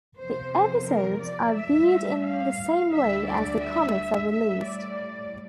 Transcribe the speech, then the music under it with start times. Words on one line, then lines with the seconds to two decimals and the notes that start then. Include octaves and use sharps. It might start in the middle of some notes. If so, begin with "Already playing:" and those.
The episodes are viewed in the same way as the comics are released.
0.18 E2 C3 F3 C5
0.87 A#4
1.21 D5
1.55 A2 G3 E5
2.23 F5
2.92 D2 D3 G3 E5
3.26 D5
3.61 E5
4.29 A2 G3 E5
4.63 D5